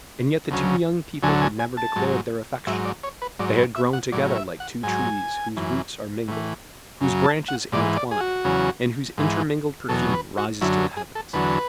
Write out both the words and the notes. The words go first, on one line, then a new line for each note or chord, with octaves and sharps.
And yet the two young people had never declared their affection; they had grown together like two trees whose roots are mingled, whose branches intertwined, and whose intermingled perfume rises to the heavens.
D2 C#3 F#3
D2 D3 F#3 G#5
G#5
G#5
A5
G#2 F#3
G#2 F#3 E5
D5
C#5
B4
G#2 F#3 D5
B4
E5
F#5
A2 F#3 D5
E5
F#5
G#2 F#3 G#5
F#2 E3
A2 E3
F#2 C#3 F#3
A5
F#5
G#2 E3 D5
D5
G#4
F#4
E2 C#3 F#3
G#2 E3
E2 B2 F#3 A4
B4
F#4
F#2 D3 F#3 E4
G#4
A4
E2 D3 F#3 B4